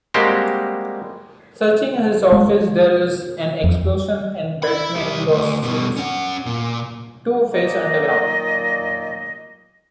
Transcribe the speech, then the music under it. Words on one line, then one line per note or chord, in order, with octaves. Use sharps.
Searching his office, there is an explosion and Batman loses Two-Face underground.
G3 G#3 A#3 C4 F#4 G4
G#3
F2
E4 B5
G3 E5
D2
G2 B2
C#4 F#5
A#2
A#2 D#3 F#3 A#3 D5 D#5